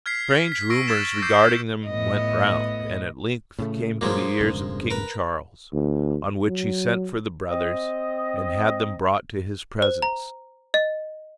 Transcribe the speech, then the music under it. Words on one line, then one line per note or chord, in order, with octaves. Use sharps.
Strange rumours regarding them went round, and at length came to the ears of King Charles; on which he sent for the brothers, and had them brought to his presence.
F6 G#6 B6 C7
B6
C#6 E6 A#6 C7 D7
E6 G#6 A6 E7
D6 E6 G6 C7 D7
A2 B3 D#5
A2 C#3 A3
G2 A#2 F3 F#3 G#3 A#3
E1 G2 C#3
A#4 B4
D2
F#3
C4 D#5
C5
A#5
D#5